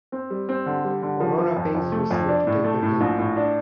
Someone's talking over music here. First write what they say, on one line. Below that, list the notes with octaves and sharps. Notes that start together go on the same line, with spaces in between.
Aurora pays Lucia to take the blame.
C4
G3
C4
D3
G3
D3
F3
F3
F2
F2
A3
F2
D4
A2
A3
A2
A#1
A2
D4